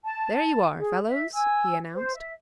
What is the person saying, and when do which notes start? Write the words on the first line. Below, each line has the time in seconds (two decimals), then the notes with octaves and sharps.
"There you are, fellows!" he announced.
0.03 A5
0.79 G#4
1.07 E5
1.34 G#5 E6
1.94 C5
2.15 E5